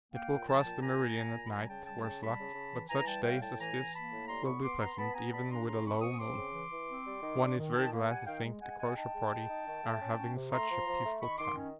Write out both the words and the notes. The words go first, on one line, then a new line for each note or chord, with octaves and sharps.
It will cross the meridian at night, worse luck, but such days as this will be pleasant even with a low moon; one is very glad to think the Crozier Party are having such a peaceful time.
A#3 F5 G5
A#2
F3 G5 A5
A#2
A#2 G#5 A#5
A#3
A#3
A#2
B5
G3 G#5 A#5
C#3 G5 A5
G3 G5 A5
C#3 G5 A5
G3 A5 B5
C#3
C#3
E3
E3 G#5 A#5
G3 G5 A5
A2 F5 G5
A2 G5 A5
E3 G#5 A#5
E3
A#3 A5 B5
A2
G3 A#5 C6
B3 B5 C#6
B3 C6 D6
B3 A#5 C6
B3 A5 B5
B3 G#5 A#5
G3 A5 B5
D4 A#5 C6
C#3 A#5 C6
C4 B5 C#6
C4 C#6 D#6
C4 C6 D6
C#3
E3
E3
C4
G3
D#3
D4
D#3
D#3 G5 A5
A#3
G3 F#5 G#5
D#3 F5 G5
G#3
G#3 F#5 G#5
G#3 F#5 G#5
D#4 G5 A5
G#3
G#3
D#4
D#3
A3
C#4
C#4
C3
A3 A#5 C6
F3
F3
A3
D#3 B5 C#6
D#3 C6 D6
C#4